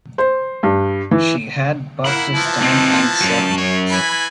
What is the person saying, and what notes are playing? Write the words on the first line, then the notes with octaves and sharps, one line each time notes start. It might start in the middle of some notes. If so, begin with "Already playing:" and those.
She had but to stand and submit.
C5
G2
E3
A#3 E5 F#5 B5
E3 F3 A5
C4 D#4
F#2 F#4
C#5
E3 G#5 B5